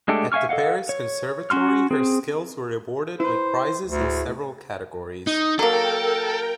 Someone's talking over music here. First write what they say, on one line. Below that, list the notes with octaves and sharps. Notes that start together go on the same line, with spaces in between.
At the Paris Conservatory her skills were rewarded with prizes in several categories.
G#3 A3 D4 G4 A4
E5 F5 G#5 C#6 F6
A4 D#5 F5 F#5
C#5
C#4 F#4 C6 F6
C4 G#4
E4 B4 C5
D2
A2 G#4
D#4
F#3 A#3 A4 A#4 G5